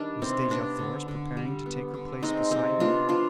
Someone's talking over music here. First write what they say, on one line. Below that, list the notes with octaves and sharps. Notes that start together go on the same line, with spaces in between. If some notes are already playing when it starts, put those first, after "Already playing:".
Was Dejah Thoris preparing to take her place beside me?
Already playing: D#3 G3 D4
C3 C4
B3 D4
D3
D3
G3
B3
D3
G#3 C4 D#4
C3 C4 D#4
B3 D4 F4
F3 D4 F4